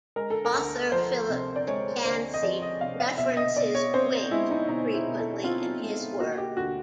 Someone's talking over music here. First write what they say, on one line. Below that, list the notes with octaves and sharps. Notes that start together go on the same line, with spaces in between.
Author Philip Yancey references Wink frequently in his work.
G#3 A#4
A4
A#4
D2
F3 C5
C3
D5
G#3 C#5
D2 C5
D#5
F3 D5
D#5
C3 F5
F5
B2 E5
E5
D#5
B2 D5
C#5
C4 C5
G#3 E4
D#4
B2 D#4
E4
B2
A4
C4 F4
G#3
A#3 F#4
G4
D2 F#4